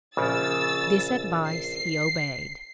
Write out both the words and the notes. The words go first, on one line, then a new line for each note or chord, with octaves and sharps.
This advice he obeyed.
A#1 C#3 E6 A6
C7